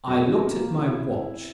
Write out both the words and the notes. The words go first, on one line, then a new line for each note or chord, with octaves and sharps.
I looked at my watch.
C2 B2 F#3 G#3 C4 F#4
B4
A#3 A#4
E4 E5